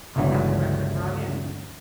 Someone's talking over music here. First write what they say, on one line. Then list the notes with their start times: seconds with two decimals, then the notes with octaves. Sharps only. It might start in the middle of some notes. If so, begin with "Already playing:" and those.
"I'll have the record brought in."
0.16 G1 C#2 D3 E3 F#3